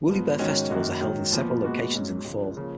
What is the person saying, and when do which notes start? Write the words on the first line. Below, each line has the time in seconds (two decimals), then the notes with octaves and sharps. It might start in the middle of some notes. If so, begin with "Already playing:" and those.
Woolleybear Festivals are held in several locations in the fall.
0.08 G#2 F3 B3
0.39 G#2 D#3 G#3 C#4 F#4
0.70 F#2 D#3 A#3 D#4 F#4
1.01 G#2 D#3 F#3
1.32 A#2 F3 B3
1.64 A#2 G#3 B3 F#4
1.94 G#2 F#3 C#4
2.24 C#2 C#3 F3
2.57 C#3 F3 A#3